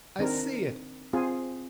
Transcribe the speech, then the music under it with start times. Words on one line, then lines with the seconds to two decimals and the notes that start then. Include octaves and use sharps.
I see it!
0.19 D#3 C4 D4 A#4
1.13 C4 F4 G#4